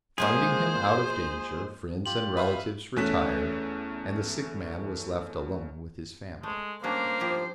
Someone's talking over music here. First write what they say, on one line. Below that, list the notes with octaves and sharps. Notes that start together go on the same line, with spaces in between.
Finding him out of danger, friends and relatives retired, and the sick man was left alone with his family.
F3 G#3 A#3 G#4 C5
F4 G4 F#7
B4 E5 F5
E2 A3 C#4 F#6 B6 E7
G#3 A3
G3 A#3 C#4 D4 C5
F3 E4 G4